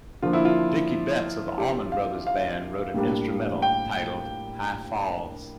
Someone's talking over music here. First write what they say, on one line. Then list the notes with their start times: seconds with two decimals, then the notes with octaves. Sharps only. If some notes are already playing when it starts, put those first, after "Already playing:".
Dickey Betts of The Allman Brothers Band wrote an instrumental titled "High Falls".
0.22 D3 F3 A#3 D4 F4
0.33 E4
0.45 F4
1.58 G4
1.92 F5
2.27 F5
2.94 A2 G3 A#3 D4
3.62 G5